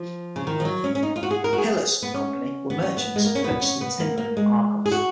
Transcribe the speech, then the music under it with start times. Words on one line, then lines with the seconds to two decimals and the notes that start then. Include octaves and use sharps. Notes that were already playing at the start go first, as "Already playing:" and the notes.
Hillas and Company were merchants purchasing timber from Arcos.
Already playing: F3
0.36 C#3
0.47 D#3
0.60 F3
0.65 F#3
0.84 C#4
0.95 C#4
1.03 D#4
1.16 F4
1.23 F#4
1.31 G#4
1.44 A#4
1.53 F#4
1.58 G#4
2.02 B3
2.14 C#4
2.70 B3
2.82 C#4
2.97 B3
3.16 G#3
3.24 A#3
3.35 C#4
3.44 B3
3.62 C#4
3.81 B3
4.00 A#3
4.18 A#3
4.37 G#3
4.86 G#4
4.92 F#4